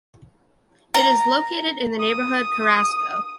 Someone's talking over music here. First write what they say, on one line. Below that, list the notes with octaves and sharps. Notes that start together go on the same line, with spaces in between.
It is located in the neighborhood Carrasco.
A#5
D#6